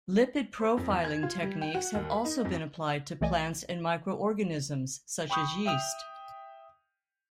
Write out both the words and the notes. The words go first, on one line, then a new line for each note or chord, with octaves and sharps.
Lipid profiling techniques have also been applied to plants and microorganisms such as yeast.
C5
F2
E2
G#6
F4
G3
G5
F#4
D#2
B5
D#4
F2
C2 E3 A3 D5 D#5 G#5
G5 B5 C#6 D#6 G6
E5 G5 D#6 F7